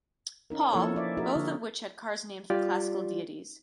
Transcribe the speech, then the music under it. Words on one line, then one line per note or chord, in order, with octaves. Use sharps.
Paul, both of which had cars named for classical deities.
C#4 D#4 A#4
F3 A#3 E4 A4 C#5
C#4 D5 E5
D#4 F#4 G#4 A#4 E5
D3
G3 F4 G4 D5